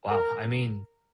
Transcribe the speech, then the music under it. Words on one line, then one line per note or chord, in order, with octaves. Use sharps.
Wow, I mean,
A#4